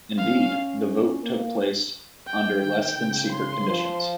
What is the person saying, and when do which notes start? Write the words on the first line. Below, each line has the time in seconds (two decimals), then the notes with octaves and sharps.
Indeed, the vote took place under less-than-secret conditions.
0.17 C#4 F5
1.23 A#3
2.27 G5
2.62 D#3 G5
2.97 C#3
3.32 C6
3.67 F3